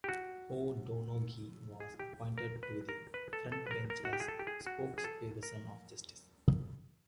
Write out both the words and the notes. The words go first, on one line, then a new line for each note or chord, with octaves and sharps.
O'Donoghue was appointed to the front bench as spokesperson on Justice.
G4
F#4
G#4
G4
A#4
B4
A#4
B4
A4
A4
B4
A#4
A#4
F#4
G4
G#4
A4
G4
G#4
F#4
G#4
A4
A#4